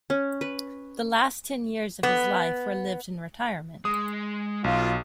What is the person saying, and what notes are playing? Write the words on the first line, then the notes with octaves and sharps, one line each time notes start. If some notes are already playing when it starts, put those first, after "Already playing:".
The last ten years of his life were lived in retirement.
C#4
B4
B3
G#3 D#6
B1 F4